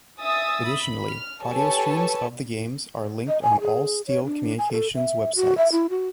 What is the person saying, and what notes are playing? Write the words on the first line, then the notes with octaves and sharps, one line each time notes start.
Additionally, audio streams of the games are linked on all Steele Communications web sites.
E5 G#5 D#6 E6 A6
B5
F6
G4 A4 B4 C#5 G#5 A5
D#5
G#5
G#4
C#5
D4
G#5
A4
E5
F#4
E5
E4
F#4